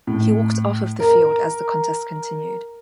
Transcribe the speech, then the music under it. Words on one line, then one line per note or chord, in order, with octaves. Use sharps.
He walked off of the field as the contest continued.
A2
A#4